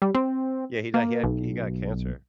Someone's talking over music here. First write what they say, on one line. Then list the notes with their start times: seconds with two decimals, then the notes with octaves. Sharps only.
Yeah, he di he had he got cancer.
0.02 G3
0.15 C4
0.94 A#3
1.23 B1